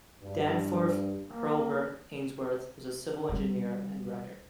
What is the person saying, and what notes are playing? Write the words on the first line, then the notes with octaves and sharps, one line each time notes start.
Danforth Hurlburt Ainsworth was a civil engineer and writer.
G2
A#3
C3 G3